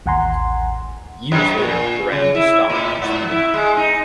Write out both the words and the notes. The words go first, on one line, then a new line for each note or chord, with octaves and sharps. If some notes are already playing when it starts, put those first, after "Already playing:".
Years later Durand was stopped for speeding.
A1 D#2 F#5 G#5 A#5 C6
F#2
A#2
C#3
E4
A2
G#2
E4
G#3
D#4